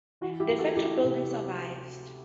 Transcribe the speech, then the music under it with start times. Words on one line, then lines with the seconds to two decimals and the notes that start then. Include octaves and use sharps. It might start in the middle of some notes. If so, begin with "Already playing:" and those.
The factory building survives.
0.21 E3 F#4
0.40 E4 G4
0.49 D2
0.58 F#4 A4
0.76 D2 E4 G4
1.04 C3